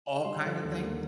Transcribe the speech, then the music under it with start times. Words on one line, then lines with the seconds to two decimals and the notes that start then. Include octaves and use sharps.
all kinda things?
0.24 G3 C6
0.44 D3
0.63 D#2
0.82 A#3